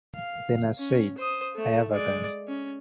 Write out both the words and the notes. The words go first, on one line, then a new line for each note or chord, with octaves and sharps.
Then I said, 'I have a gun.
F5
C#4
C5 D#6
A3
G#3 D5
C#4